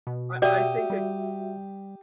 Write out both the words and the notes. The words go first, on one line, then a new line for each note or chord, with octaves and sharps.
I I think it
B2
F#4 G4 D5 E5 D#6
G3